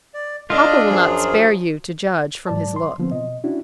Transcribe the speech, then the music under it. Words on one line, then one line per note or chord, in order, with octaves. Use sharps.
"Papa will not spare you, to judge from his look."
D5
D4 F4 A4 D#5
F#2 F3 F#3 G#4
G#2 F#3 D5 A5
C6
D3 F3 B3 C4
B2 D#5
C#4 D4 E4 F#4